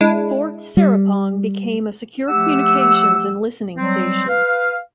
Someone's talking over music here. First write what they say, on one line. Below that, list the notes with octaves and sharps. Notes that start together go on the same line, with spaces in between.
Fort Serapong became a secure communications and listening station.
G#3 D4 E4
G3
F3 A3 G4 F#5 E6
F#3 G3 C4
B4 F5